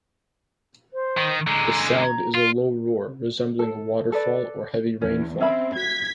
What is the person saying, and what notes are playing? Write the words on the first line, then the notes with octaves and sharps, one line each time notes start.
The sound is a low roar resembling a waterfall or heavy rainfall.
C5
D#3
D3 G#3 A#5
A#5
F4
A4
A4 B4 D5
E2 C#4
C4 C#4 E5 B5
F#4 G#6 B6